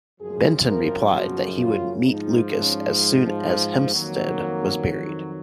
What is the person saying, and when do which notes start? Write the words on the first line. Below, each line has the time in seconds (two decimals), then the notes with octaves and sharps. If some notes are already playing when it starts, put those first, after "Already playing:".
Benton replied that he would meet Lucas as soon as Hempstead was buried.
0.20 F#2 C#3 F3 G#4
0.67 A#4
1.14 F#4
1.60 F4
2.06 G#2 F3 D#4
2.53 C#4
3.92 F2 D#3 F#3 A#3